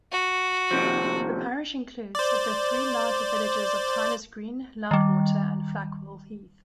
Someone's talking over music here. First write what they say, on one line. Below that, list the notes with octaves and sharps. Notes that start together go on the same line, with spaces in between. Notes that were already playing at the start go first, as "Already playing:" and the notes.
The parish includes the three large villages of Tylers Green, Loudwater and Flackwell Heath.
F#4
D#2 C3 F3
C5 D5
D#3 G3